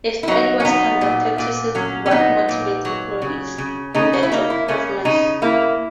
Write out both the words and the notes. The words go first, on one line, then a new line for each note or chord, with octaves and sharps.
A study was conducted to see what motivates employees in their job performance.
E4
F#3 D#4
C#4
B3 D#4
A#2
A#2
F#3 C#4
C#4
B3 D#4
A#2
F#3
C#3
C#3
C#3 D#4
C#4
E4
A#3 D#4
E4
C#3 C#4
C#3 D#4
A#3 E4